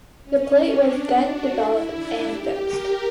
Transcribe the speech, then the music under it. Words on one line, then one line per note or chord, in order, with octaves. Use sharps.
The plate was then developed and fixed.
C#4
D4
F#4
E4
D4
G4
A#4